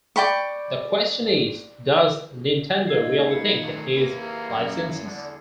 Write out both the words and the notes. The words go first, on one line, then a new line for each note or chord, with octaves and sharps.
The question is, does Nintendo really think it needs licensees?
D5 G5 B5 C#6
G#3 A#3 D#4 E6 G#6 C7
F#3 B3 E4 C#7
B1 F#2 D#3 A3
A#3 E4 G4 G#4 B4
F#2
E2 D3 D5